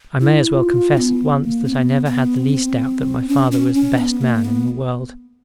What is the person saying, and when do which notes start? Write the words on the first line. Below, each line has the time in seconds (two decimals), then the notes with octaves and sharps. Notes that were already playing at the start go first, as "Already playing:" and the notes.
I may as well confess at once that I never had the least doubt that my father was the best man in the world.
0.21 E4
0.52 F4
0.97 B3
1.44 A#3
1.66 C4
1.74 B3
2.06 B3
2.36 C4
3.29 C#4
3.52 C#4
3.75 C#4
3.98 B3
4.21 A#3
4.45 B3